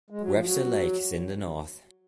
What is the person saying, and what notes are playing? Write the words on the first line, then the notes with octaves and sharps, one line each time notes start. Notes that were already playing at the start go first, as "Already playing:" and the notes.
Webster Lake is in the north.
G#3
F#3
F3
F#3